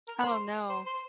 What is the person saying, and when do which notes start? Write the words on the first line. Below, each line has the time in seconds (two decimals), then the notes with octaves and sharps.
Oh no.
0.08 A#4
0.23 C5
0.69 C5
0.86 C5